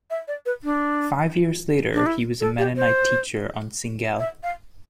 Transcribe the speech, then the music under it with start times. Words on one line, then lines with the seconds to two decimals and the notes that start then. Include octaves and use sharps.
Five years later he was a mennonite teacher on Singel.
0.10 E5
0.28 D5
0.46 B4
0.64 D4
1.94 D4
2.06 E4
2.41 A4
2.58 G4
2.77 C5
4.19 E5
4.43 F5